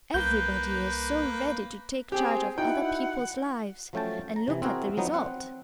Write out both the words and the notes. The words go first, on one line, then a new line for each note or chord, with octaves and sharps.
"Everybody is so ready to take charge of other people's lives, and look at the result!"
C2 A#3 B4 G6
C4 G4 G#4
D#4 E4 F#4 F#5 G5
F3 F#3 A3 C#4 G5 A5
A#5
C3 E3
C4 E4 F#4 G#4 A#4
F3 F#3 B3 D#4
C4 F#5